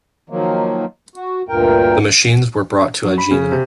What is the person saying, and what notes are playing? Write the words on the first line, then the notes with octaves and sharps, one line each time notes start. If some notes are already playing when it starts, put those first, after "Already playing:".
The machines were brought to Aegina.
D#3 F3 F#3 A#3
F#4
D2 G2 A#2 A#4 G5
F#3
B5
C#3
C3